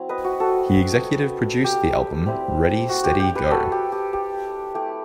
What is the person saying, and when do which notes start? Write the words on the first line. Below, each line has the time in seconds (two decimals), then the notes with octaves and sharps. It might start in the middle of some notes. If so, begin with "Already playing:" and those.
He executive produced the album Ready Steady Go!
Already playing: F#3 C4 E4
0.09 B4 D#5
0.24 F#4
0.40 F#4 A4
1.64 G4
2.26 G3 C4 E4
2.89 F#4
3.04 G4
3.20 G4
3.35 G4 B4
3.51 F#4 A4
3.72 G4
3.92 G4
4.13 G4
4.74 A3 E4 G4